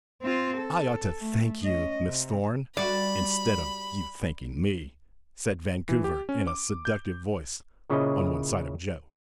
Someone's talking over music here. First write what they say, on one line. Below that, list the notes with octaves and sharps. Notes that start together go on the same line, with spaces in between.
"I ought to thank you, Miss Thorn, instead of you thanking me," said Vancouver, in a seductive voice, on one side of Joe.
C4 F4
A4
A3
C#4 D#5
C3
G3 F#4 D5 B5
E3
G4
C#4
D6
G6
A#2 C#3 C#4 E4 C5 D#5